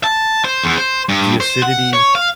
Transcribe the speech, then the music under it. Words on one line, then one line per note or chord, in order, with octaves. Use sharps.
the acidity
A5
C5
E2
C5
G2
C5
F#5
C#5
F5